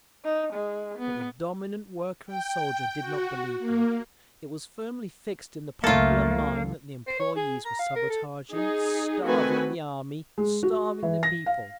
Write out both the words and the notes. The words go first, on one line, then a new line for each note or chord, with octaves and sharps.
But the dominant worker and soldier did not believe them; it was firmly fixed in the popular mind that the employees were sabotaging, starving the Army, starving the people....
D#4
G#3
B3
G5
F#4
A#3
C#2 F#2 A3 A#3 F4 A4
C5
C#5
G#4
A#5
F5
A#4
A4
D#4 G#4
D#3 A3 C4 F#4 B4 G#5
G#3
F#4
E3
A#6
F5